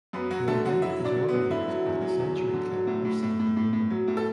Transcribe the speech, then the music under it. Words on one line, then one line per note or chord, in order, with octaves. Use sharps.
The event is organized by The Century Club of San Diego.
F#2 B3 B4
F#3 F#4
D3 A3 A4
F#2 F#4 F#5
F#3 E4 E5
F#3
D4 D5
F#3
B3 B4
F#2
D3 E4
F#3
E2
F#3
E2
F#3
D3
F#3
A2
A2
A2
A2
A2
A2
F#3
A2
A4